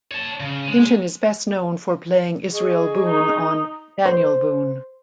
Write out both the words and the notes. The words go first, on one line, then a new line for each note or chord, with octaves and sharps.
Hinton is best known for playing Israel Boone on "Daniel Boone".
C#5 A5
C#3
G#3
G#4 D#5 C#6
D#4
C5